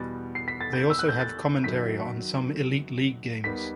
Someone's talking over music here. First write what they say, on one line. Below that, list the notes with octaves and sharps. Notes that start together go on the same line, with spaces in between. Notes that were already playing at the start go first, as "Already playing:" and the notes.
They also have commentary on some Elite League games.
Already playing: E2 B2 G3 B3 A6
C7
B6
A6
G6
E6
F#6
G6
A6
F#2 D#3 F#3 B6
D#2 D#3 G3 B3 B6